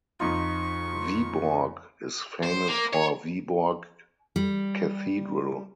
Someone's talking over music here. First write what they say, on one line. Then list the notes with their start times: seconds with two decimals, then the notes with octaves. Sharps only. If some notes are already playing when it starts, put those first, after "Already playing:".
Viborg is famous for Viborg Cathedral.
0.20 F2 D#4 F4 C#6
2.43 C5
2.69 A#3
2.93 C#5
4.36 G3